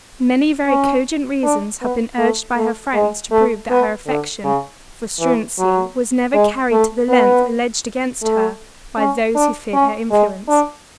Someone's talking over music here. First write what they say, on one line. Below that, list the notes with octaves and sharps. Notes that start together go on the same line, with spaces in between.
Many very cogent reasons have been urged by her friends to prove that her affection for Struensee was never carried to the length alleged against her by those who feared her influence.
C#4
D4
B3
A3
A3
G#3
A3
B3
D3
C#3
E3
F#3
G#3
A3
B3
A3
C#4
D4
C#4
G#3
D4